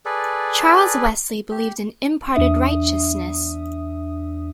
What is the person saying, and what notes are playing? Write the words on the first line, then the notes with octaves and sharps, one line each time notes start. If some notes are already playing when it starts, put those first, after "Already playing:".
Charles Wesley believed in imparted righteousness.
G#4 A4 B4 D5
G4
E2 D4 E5 D#6